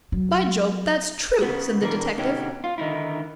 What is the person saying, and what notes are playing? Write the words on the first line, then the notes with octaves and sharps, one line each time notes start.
"By Jove! that's true," said the detective.
F#3
C#3 B3
B2 E3 D4 E4 A#4 D5
B2 D3 C#4 D#4 F#4 G4
F4
D3 D#3 D#4 E4